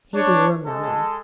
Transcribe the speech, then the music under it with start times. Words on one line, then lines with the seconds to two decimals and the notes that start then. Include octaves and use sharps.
He is in your room now, ma'am.'
0.15 D4 C#5
0.65 G#3 A4